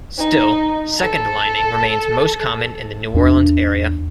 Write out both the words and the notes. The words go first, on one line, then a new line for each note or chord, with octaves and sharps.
Still, second lining remains most common in the New Orleans area.
D#4
A4
E2 D4